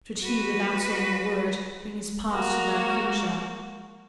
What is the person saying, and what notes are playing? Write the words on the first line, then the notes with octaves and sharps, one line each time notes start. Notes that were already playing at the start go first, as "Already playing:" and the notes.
Should he, without saying a word, bring his past to that future?
F#4 B4
G#3 A#3 F#4